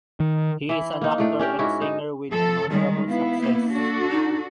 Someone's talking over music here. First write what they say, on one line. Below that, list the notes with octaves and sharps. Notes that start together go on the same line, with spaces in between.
He is an actor and singer with an honorable success.
D#3
E3 E4
A#3 D#4
A2 A3 D4
C#4 D4 G4 A#4
G#2 C#4 E4 F#4
D#4
F3 A4
D#3 G3 G#3
B3 E4 F5
A#3
D4 F#4 A4
D#4